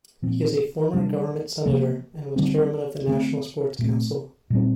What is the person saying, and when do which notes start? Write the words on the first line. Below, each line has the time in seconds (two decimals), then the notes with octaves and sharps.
He is a former Government Senator and was Chairman of the National Sports Council.
0.22 A#2 F3 C4
0.93 C3 G3 D4
1.65 C3 F3 A#3
2.36 D3 G3 C4
3.07 D3 A3 C4
3.79 A#2 A3 C4
4.50 A#2 G3 C4